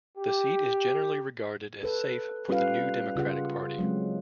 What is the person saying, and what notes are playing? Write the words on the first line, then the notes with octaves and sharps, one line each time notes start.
The seat is generally regarded as safe for the New Democratic Party.
G4
A4 B4
G3 C#4 F4 G4 B4 F5
C#3 F4 G#4 F#5
F#3 G#3 C4